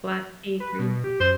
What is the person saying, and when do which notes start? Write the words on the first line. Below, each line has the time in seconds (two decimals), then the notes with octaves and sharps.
Black tea, green
0.60 B4
0.79 B2
1.04 G4
1.20 F#2 C5